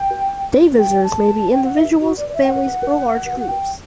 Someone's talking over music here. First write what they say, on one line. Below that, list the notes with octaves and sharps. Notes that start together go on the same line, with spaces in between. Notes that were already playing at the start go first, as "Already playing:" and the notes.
Day visitors may be individuals, families, or large groups.
Already playing: G5
G5
A5
G5
F#5
E5
F#4
D5
D5
E5
G5
F#5
F#5
G5